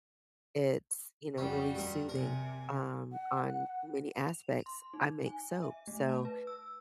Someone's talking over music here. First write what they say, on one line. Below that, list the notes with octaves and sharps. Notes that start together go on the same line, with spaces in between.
it's, you know, really soothing, um, on many aspects. I make soap, so
F2 G3 C#4 F#4
G2 A#4
C3 A#4 G#5
F#5
F7
C6
D#4
G#5
E5
A3
A5
B4
E6